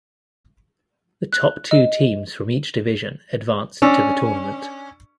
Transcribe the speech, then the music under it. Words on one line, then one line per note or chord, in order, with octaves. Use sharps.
The top two teams from each division advanced to the tournament.
F#6
D#5
C#4 D4 D5 E6